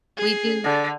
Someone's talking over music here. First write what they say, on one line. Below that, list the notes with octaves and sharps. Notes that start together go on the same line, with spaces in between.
We do
G#4 C7
D3